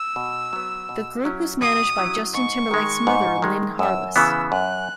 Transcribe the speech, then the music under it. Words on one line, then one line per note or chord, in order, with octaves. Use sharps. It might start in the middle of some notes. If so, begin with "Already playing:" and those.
The group was managed by Justin Timberlake's mother, Lynn Harless.
Already playing: E6
B2
F#3 B3
B2
F#3 C#4 E4
B2 D#6
F#3 C#4 E4
G#2 C#6
D#3 G#3
G#2
D#3 G#3
F#2 E6
C#3 E3 B3 E6
F#2 F#6